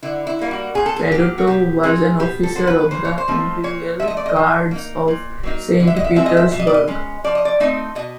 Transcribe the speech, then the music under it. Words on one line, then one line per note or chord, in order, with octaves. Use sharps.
Fedotov was an officer of the Imperial Guards of Saint Petersburg.
D3 E4
E4
G3 A#3 D#4
F#4
A#2 G#4
A4
G#4
F#3 A#3 G4
F#4
B2 G4
G#3 C4 D#4 G#4
B2 G4
A4
F#3 B3 C5
B4
A#2 C5
C#5
C5
F3 A3 C4 D#4
A#2 C#5
F3 A3 E5
D#5
D5
D#5
F3
A#3 D#4
A#2
F#3 A#3 D#4
D3
E5
D#5
E5
F3 G#3 C4 E5
D#5
E5
B2 E5
D#5
D5
D#5
G#3 C#4
F3 D5
D#5
D5
A3 C4 D#4 D#5
B2 D#5